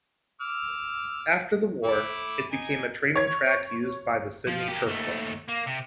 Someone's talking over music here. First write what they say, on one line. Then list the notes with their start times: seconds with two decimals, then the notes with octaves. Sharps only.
After the war, it became a training track used by the Sydney Turf Club.
0.41 D6 E6 F6
1.84 A3 E4 D6
2.52 D#4 G#5
3.16 C#5 G#6
4.47 F3
4.68 G4 A#4
4.87 D#2 A3
5.49 A#3
5.67 C3